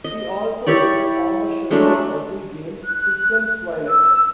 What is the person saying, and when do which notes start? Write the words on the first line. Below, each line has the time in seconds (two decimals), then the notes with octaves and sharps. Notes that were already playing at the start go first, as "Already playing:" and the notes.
He also wrote the former shareware puzzle game "System's Twilight".
0.04 D#5
0.66 E4 G4 C#5 D5
1.71 F#3 G#3 A3 D4
2.84 F#6
3.88 E6